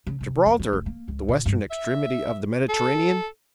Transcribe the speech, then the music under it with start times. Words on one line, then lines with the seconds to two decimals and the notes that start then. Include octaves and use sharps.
Gibraltar! the western extremity of the Mediterranean!
0.07 C#3
0.21 C3
0.46 F2
0.59 E3
0.73 F1
0.86 A#3
1.08 C#2
1.28 A#2
1.46 G2
1.71 E5
2.69 A4